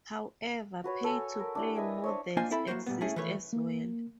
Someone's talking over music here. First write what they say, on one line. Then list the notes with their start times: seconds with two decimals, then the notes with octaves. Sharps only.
However, pay-to-play models exist as well.
0.84 F#4 B4 C#5
1.04 A4 G#5
1.40 A#4
1.55 D4 E4 G4
1.75 B4 D#5 E5 G#5
2.04 D4 C5 C#5
2.37 A#3 D4 F4 C5 D#5 G#5
2.51 C4 E4 A4 B5
2.67 F#3 A#3 F#4 C5
2.86 A#2 G3 B3
3.01 A3 C#4 E4 G#4
3.16 E3 F3 A3 B4 C#5
3.53 A#3